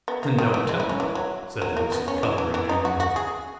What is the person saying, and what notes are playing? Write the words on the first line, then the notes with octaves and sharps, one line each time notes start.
"Then don't tell me," said Lucy, coloring angrily.
B3
A#3
D#3
E3
G#3
E4
C#4
E3
F#3
F#3
A#3
B3
C#4
E3
E3
E3
D#4
F#4
F#4
G#4